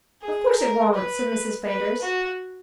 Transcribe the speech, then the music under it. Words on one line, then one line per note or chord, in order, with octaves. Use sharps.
"Of course it won't," said Mrs. Flanders.
G#4
A#4
B4
B4
F#4